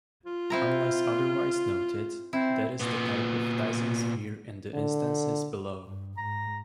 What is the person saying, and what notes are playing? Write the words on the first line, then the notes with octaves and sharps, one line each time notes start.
Unless otherwise noted, that is the type of Dyson sphere in the instances below.
F4
C4 E4 A#5
C4 E4
A#2 B3
D3
G2
G#2 A#5